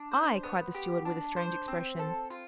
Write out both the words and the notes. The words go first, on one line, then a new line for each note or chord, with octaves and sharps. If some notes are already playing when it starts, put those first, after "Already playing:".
"I," cried the steward with a strange expression.
Already playing: D4
C5
B3
G4
D4
C5
C4
A4
F4